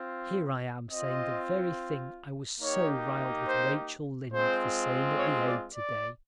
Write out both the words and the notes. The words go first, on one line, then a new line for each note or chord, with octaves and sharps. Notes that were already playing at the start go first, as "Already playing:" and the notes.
Here I am saying the very thing I was so riled with Rachel Lynde for saying at the Aid today.
Already playing: C4 F4
C4 F4 D#5
A#3 D#4 G4 C#5
C5
G#3 C4 F4 C5
C#5
D5
D5